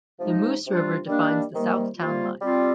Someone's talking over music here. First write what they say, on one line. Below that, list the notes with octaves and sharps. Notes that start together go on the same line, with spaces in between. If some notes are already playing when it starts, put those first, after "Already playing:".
The Moose River defines the south town line.
C3 F3 G#3 D#4
C3 G3 D4 F4
D#3 G3 A#3 D4
C3 D#3 G3 A#3
C3 G3 A#3 F4
G3 C4 F4